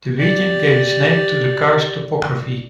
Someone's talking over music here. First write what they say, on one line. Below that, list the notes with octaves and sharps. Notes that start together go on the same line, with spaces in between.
The region gave its name to the karst topography.
G4 D5